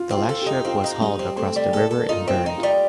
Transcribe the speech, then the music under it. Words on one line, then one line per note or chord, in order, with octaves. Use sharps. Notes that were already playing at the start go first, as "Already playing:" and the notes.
The last ship was hauled across the river and burned.
Already playing: F4
C4
F4
A4
G4
D#4
C4 F4
D#4
G3 D#4
C4
A3 C4
G3
A#3 A4
A4
D#4 F4
C4
F4
D#4
F4
G3